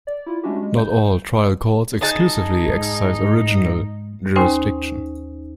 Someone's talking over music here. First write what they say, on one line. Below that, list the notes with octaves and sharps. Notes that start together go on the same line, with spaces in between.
Not all "trial courts" exclusively exercise original jurisdiction.
D5
E4 F4
G#3 A3 C#4 D4 F#4 G4
G#3
G6
D#4 G#4 A5
G#2
D#2 C#4 D#4 C5 G#5 C6